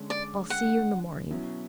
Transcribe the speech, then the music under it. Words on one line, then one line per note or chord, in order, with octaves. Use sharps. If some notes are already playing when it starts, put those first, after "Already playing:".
I'll see you in the morning.'
Already playing: D3 G#3 C#4
D5
F#5
B2 F#3 C#4 E4